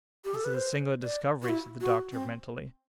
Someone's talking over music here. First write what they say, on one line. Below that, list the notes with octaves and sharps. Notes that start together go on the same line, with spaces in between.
"This is a singular discovery!" said the doctor, mentally.
G4
A4
B4
C5
D5
F#4
E4
F#4
C4